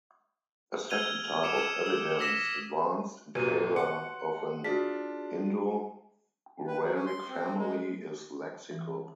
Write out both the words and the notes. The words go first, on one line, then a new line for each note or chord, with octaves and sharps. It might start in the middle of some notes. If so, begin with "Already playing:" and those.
A second type of evidence advanced in favor of an Indo-Uralic family is lexical.
E6 F6 G#6 D#7 F7 G7
D6 D#6 C#7 D7 E7 F7
E6 C#7 E7
E6
D6 E6 A#6 B6 E7
F#1 A#2 F#4 G4 B4 D#7
F#5 C6 C#7
D4 F4 F#4 G#4 B6
B4
F#3
C#4
C6
C4
G#3
E3